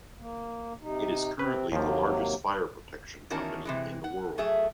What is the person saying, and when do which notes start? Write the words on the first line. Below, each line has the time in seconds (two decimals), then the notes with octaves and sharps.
It is currently the largest fire protection company in the world.
0.19 A#3
0.81 C3 D#4
1.39 C3 C4 B4
1.72 D#2 C3 F3 F#3 A#3
3.31 E2 D#3 C#4 F#4 A#4 A5
3.65 C3 E3 G#3
4.04 F#5
4.38 F#3 A3 G#4 E5